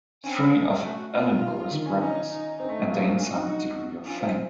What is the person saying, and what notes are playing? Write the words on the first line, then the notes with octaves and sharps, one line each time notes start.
Three of Ellenborough's brothers attained some degree of fame.
C4 C#4
A3
A3 F#4
F4
D#3
C#4
C#4 D#4
D#4
C4 D#4
A3
F#3
A#3 F4
C4
C#4 F#4
D#4
D#4
C#4 F4
C4